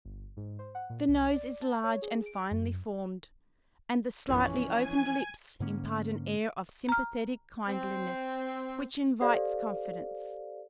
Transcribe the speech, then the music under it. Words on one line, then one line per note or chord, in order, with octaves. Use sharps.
The nose is large and finely formed, and the slightly-opened lips impart an air of sympathetic kindliness which invites confidence.
G1
G#2
C5
F#5
A#2
C2
D5
A5
C#5
G#4
D7
F#2
A#1 F#2 E3 F3 C#4
G#5
G#2 D3 A#3 C#4
A#5 F6
C4
G4 A4 C5 D5 F5